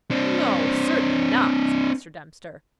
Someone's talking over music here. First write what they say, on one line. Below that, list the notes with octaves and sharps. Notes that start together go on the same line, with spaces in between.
"No; certainly not," said Mr. Dempster.
C4 D4